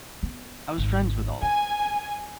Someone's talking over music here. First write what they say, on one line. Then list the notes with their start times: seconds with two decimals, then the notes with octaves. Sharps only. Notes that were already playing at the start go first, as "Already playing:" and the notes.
I was friends with all of 'em,
0.23 B3
0.78 G#1
1.42 D4 G#5